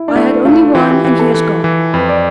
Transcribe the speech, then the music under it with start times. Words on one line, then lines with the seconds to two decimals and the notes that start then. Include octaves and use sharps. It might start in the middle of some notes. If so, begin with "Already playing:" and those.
I had only one, and he has gone.
Already playing: E4
0.08 D4
0.16 A3 E4
0.45 A3 F4
0.75 E3 F4
0.90 G4
1.05 E3
1.19 A4
1.34 E3
1.64 E3
1.93 F2 B4
2.08 D5